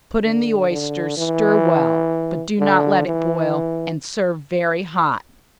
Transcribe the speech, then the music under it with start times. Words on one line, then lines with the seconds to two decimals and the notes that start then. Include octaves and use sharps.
Put in the oysters, stir well, but do not let it boil, and serve very hot.
0.23 D3
0.70 D3
1.17 E3
2.59 D3
3.07 E3